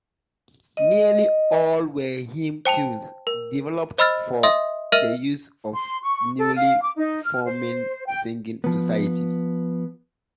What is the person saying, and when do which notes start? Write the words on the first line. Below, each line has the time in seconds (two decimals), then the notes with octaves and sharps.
Nearly all were hymn tunes, developed for the use of the newly-forming singing societies.
0.77 D#5
2.65 C5 G5 A5 F7
3.27 A#4
3.98 C5 D#5 B5 E6 F6 A6
4.43 D#5 E5 C6 D#6
4.92 A#4 D#5 E5 F6 D#7 F#7
5.73 C6
6.02 C#6
6.38 A4
6.54 F5
6.82 D6
6.97 D#4
7.23 F6
7.45 C5
8.07 G5
8.64 F3 B3